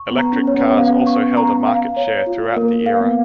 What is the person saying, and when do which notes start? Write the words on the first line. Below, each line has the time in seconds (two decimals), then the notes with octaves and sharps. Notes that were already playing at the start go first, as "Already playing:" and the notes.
Electric cars also held a market share throughout the era.
Already playing: C#6
0.11 B3
0.18 A#5
0.33 C#4
0.47 C#5
0.54 B3
0.77 B3 F5
1.07 C#6
1.37 A#5
1.67 F5
1.97 C#5
2.27 F4
2.57 A#3 A#4
2.86 F5
3.01 B3